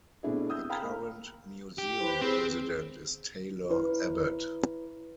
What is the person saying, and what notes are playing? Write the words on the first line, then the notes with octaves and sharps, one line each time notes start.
The current museum president is Taylor Abbott.
B2 A3 C4 D4 E4 G#4
D#6 E6 G6
F5 G5 G#5 A#5 B5 F6
A#3
G4
E4 B4 C5
C4 G#4
E4 B4 C#5